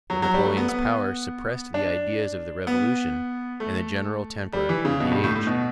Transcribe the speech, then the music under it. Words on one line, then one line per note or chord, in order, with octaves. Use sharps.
But Napoleon's power suppressed the ideas of the Revolution and the general temper of the age.
F#3
F#3
G3
A3
B3
B3
D4
B3
A3
G3
E3
C#3
B2
G2
A2
A2
B2